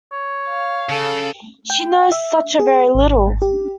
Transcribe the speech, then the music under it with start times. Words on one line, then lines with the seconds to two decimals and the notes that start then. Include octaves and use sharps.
She knows such a very little!
0.12 C#5
0.49 F5
0.89 C#3 A4
1.70 G5
2.12 E5
2.60 G#4
2.95 G#1
3.42 G4